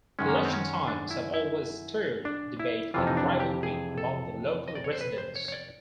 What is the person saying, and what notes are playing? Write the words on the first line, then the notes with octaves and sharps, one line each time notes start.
Election times have always stirred debate and rivalry among the local residents.
F#2 D#3 G#3 C#4
A#3
B3
C4
C#4
D4
E4
E4
D4
E4
F2 C3 E3 F4
D#4
D4
G4
G#4
A4
D#5
D5
C#5
C5
B4
C5
C#5
C#5
D5